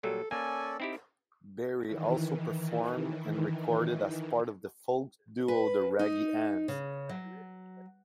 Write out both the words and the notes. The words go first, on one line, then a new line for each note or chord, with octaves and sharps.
Berri also performed and recorded as part of the folk duo The Raggy Anns.
A#2 F#3 G3 A4
A#3 C#4 A4 D5 G#5
C4 D#4 E4 G4
D#3 E3
B4
D#4
C#3
F#3